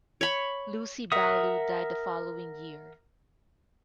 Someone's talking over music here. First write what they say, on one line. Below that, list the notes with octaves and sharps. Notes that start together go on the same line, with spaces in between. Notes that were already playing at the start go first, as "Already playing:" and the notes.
Lucy Ballou died the following year.
C#5 B5
A#4 E5 F#5 D#6